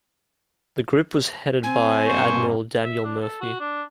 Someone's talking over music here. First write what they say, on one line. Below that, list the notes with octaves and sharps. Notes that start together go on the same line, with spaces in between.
The group was headed by Admiral Daniel Murphy.
C4 G#5
G2 B2 A#3 C5 C#6
E5
D4
A4
F#4
D4